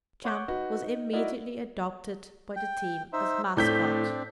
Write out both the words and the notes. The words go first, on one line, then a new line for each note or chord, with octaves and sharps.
Champ was immediately adopted by the team as mascot.
C#5 F#5 C#6 D6 F#6 G6
D#4 F#4 B4
D#4
D#4 E4 F#4 A#4 D5 D#5
G5
D#4 C5 E5
A2 C4 D4 G6 B6